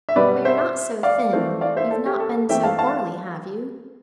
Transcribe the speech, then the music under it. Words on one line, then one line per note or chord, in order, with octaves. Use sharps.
But you're not so thin--you've not been so poorly, have you?'
E5
B2 G3 B3 B4 D5
C5 E5
D5 F5
E3 A3 C4
D5 F5
C5 E5
A4
G4
A4
E3 A3 C4 E5 G5
F5 A5
F5 A5